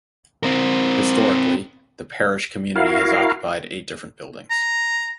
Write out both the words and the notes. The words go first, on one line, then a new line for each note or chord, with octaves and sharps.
Historically, the parish community has occupied eight different buildings.
C4 A#4
E4 F#4 A#4 F5
A#5